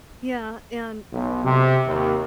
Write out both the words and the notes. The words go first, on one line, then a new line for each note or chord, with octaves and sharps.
Yeah, and
B1
C3
D#2